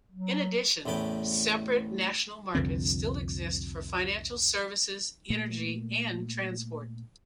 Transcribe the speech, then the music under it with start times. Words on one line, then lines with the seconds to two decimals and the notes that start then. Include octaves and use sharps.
In addition separate national markets still exist for financial services, energy and transport.
0.12 F#3
0.86 A1 E2 A2 B4 G5 A5
2.55 C2 F2 D3 C4
5.30 A#2 A3 A#3